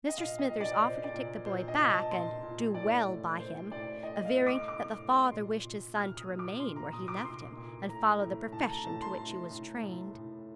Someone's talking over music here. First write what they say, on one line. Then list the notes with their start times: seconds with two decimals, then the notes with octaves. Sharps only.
Mr. Smithers offered to take the boy back and "do well by him," averring that the father wished his son to remain where he left him, and follow the profession to which he was trained.
0.09 D#5
0.17 A#2 F5
0.39 D#5
0.50 A#2
0.60 D5
0.82 A#2 C5
1.04 D5
1.14 A#2
1.46 A#2 C5
1.68 D#5
1.79 A#2
1.89 A5
2.11 A#2 C6
2.43 A#2
2.74 A2 D5
3.07 A2
3.39 A2 C5
3.71 A2 D5
4.03 A2 D#5
4.25 F5
4.36 A2
4.47 D6
4.68 A2 D6
5.00 A2
5.31 A#2 C6
5.64 A#2
5.95 A#2 F6
6.07 F6
6.17 D#6
6.29 A#2
6.39 D6
6.60 A#2 C6
6.76 A#5
6.92 A#2 D#6
7.08 D6
7.24 A#2 C6
7.56 A#2
7.89 A2 A#5
8.21 A2
8.52 A2 A5
8.70 A#5
8.85 A2 A5
9.02 C6
9.18 A2
9.49 A2
9.82 A2
10.13 A2